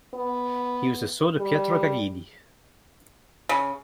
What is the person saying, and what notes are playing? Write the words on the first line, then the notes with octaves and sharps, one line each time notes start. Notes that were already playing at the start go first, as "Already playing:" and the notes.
He was the son of Pietro Gagini.
B3
G3
C#3